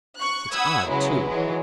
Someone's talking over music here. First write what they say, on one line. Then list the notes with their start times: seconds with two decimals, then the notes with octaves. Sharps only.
It's odd, too.
0.17 C#6 F#6
0.53 F#5 B5 D#6 E6 G#6
0.89 C#3 F#3 G#3 B3 E4 B4
1.28 E3 F#3 G#3